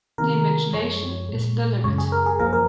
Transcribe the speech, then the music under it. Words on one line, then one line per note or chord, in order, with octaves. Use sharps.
The imagination is the limit.
C3 D#3 A#3 A#4
F#2 F3 G#3 C#5
A#2 G#3
F#2 C#3 G#3 C#5
G#4
A#4
G#4
F#2 F3 A#3 A#4
A#4